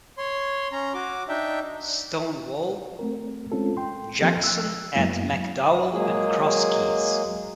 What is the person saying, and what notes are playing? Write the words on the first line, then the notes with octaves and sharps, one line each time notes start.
"Stonewall" Jackson at McDowell and Cross Keys.
C#5 C6
C#4 A#5
F#4 D6
D4 D#4 E5 G5
A3 C4 A#4
G#3 C4 C#4 F4 A4
G5 C6
F3 A#3 C4 G4 A4 A#4
E6 F#6
F#2 F#3 G#3 A#3 B3 E4
F#3 G#3 A#3 G#4